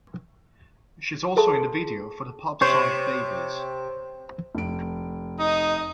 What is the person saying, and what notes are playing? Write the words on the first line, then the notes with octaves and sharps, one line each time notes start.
She is also in the video for the Pulp song "Babies".
G#4 A4 A5 C6
C3 C5 C#5
F1 D7
D#4 D#5